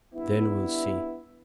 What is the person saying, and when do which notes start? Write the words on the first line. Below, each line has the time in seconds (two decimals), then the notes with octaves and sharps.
Then we'll see.
0.13 G2 B3 E4